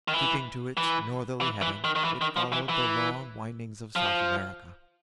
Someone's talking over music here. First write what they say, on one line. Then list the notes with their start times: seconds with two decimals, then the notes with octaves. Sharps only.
Keeping to its northerly heading, it followed the long windings of South America.
0.08 D#3
0.14 E3
0.77 E3
1.41 E3
1.62 E3
1.84 D#3
1.96 D#3
2.04 E3
2.21 D#3
2.36 F3
2.53 E3
2.69 E3
3.96 F3